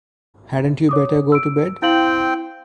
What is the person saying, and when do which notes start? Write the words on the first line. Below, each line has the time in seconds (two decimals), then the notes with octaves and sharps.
Hadn't you better go to bed?
0.89 C#5 D6 D#6
1.32 E6 D7
1.82 C4 E4 F5 G5 F#7